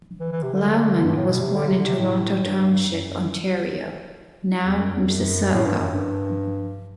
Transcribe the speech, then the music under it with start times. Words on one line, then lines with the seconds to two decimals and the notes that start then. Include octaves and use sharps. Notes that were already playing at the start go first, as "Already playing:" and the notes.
Laumann was born in Toronto Township, Ontario, now Mississauga.
0.20 E3
0.32 E3
0.43 C3
0.54 D3
1.04 G2
1.16 A2
1.29 B2
1.41 C3
1.54 D3
1.68 C3
1.78 D3
1.84 C3
1.98 A2
2.43 G2
2.87 F#2
4.64 E2
4.79 F#2
4.93 E2
5.09 F#2
5.53 A2
5.65 G2
5.78 F#2
5.90 G2